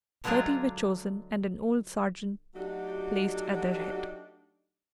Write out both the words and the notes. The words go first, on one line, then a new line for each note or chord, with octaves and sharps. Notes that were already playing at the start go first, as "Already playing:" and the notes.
Thirty were chosen, and an old sergeant placed at their head.
D3 F#3 G#3 D4 F4 G#4
F#3 A3 D4 D#4 F#4 G4